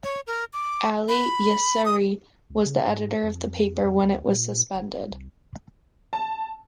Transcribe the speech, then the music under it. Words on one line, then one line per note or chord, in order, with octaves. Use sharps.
Ali Yasseri was the editor of the paper when it was suspended.
C#5
A#4
D6
B5
D#6
C#2
C#3
G#2
F2
F2
D2
A#2
F#1
D1
C2
A5